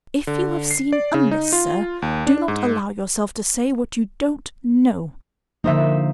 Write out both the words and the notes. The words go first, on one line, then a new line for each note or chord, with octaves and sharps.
If you have seen amiss, sir, do not allow yourself to say what you don't know!
D3
C7
D5
C#3
D#4
F4
D#2
D4
G#2
D3 F3 A#3 D#4 C5 E5